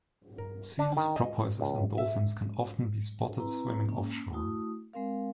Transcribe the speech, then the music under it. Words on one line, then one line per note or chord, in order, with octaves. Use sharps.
Seals, porpoises and dolphins can often be spotted swimming offshore.
A#4
D4
D#3
D#5
C#2
E5
C4 E4 B4 A#5
A#3 C#4
A3 E4 F#4 D#6
G#3 C4 A#4 F5